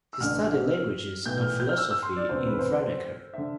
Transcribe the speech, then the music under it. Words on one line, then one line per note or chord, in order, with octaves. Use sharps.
He studied languages and philosophy in Franeker.
E6
A1 G2 D3 F6
B1 A2 E3 G6
F6
G6
F6
E6
E6
C6
D5
E1 D2 C3 E3 C5
B4
C5
B4
C5
D3 E5